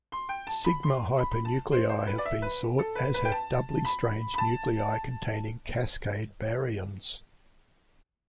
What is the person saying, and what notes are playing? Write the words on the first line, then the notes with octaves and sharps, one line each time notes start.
Sigma hypernuclei have been sought, as have doubly-strange nuclei containing Cascade baryons.
C6
G5
A5
B5
C6
B5
B5
A5
C5
C5
B4
D5
E5
B4
A4
B4
B4
G5
A5
B5
B5
A5